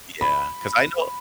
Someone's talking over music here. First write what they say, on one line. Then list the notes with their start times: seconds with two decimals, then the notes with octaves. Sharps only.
Yeah, 'cause I know
0.21 B5